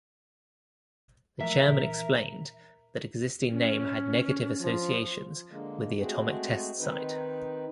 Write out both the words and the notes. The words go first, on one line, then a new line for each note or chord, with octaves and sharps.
The Chairman explained that existing name had negative associations with the atomic test-site.
E3 F3 A3 A#4 E5
A#2 E3 D4
C#4
F3
D3 G#3 A#3
G#3 A3 C4 F#4 G#4
D#3 C4 D#4 B4